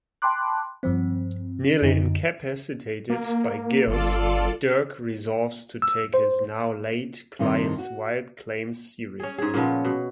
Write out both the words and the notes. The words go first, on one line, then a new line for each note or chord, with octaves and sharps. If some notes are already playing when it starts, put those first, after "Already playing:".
Nearly incapacitated by guilt, Dirk resolves to take his now-late client's wild claims seriously.
G5 A5 B5 C6 D6 F#6
G2 F3 C4
F#2 D3 D#4
A#3
G1 F4 A4 D5
E6
C5
G2 C3 D#3 G3
F#4
C#4 G#4
G#2 G#4
A#2 C#3 F3 B3
B2